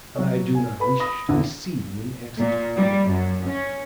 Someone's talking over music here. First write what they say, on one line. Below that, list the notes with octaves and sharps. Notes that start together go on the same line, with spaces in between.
"I do not wish to be seen in Exeter," he replied.
F#3 C#5
G#5
B4 B5
B5 D#6 A#6
A1 E2 D3
A#2
G3
F#2
C#4